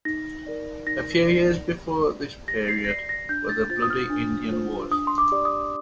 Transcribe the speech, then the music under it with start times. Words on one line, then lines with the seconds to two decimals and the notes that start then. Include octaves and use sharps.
A few years before this period were the bloody Indian Wars.
0.05 D#4 A#6
0.46 A#4 D5
0.87 D#4 A#6
1.27 A#4 D5
1.68 G4
2.08 D5
2.48 G4 A#6
2.68 C7
2.85 A#6
2.89 D5 C7
3.09 A#6
3.29 D4 G6
3.49 A6
3.69 F4 C5 A6
3.82 D#6
3.90 F6
4.10 D4
4.51 F4 C5
4.91 D4 D#6
5.07 C6
5.18 D6
5.32 G4 D5
5.45 D#6